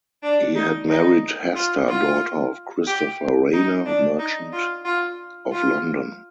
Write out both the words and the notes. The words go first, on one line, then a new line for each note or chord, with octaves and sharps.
He had married Hester, daughter of Christopher Rayner, merchant, of London.
D4
D#4
D#4
F4
F4
G4
D#4
D4
D#4
F4
F4
F4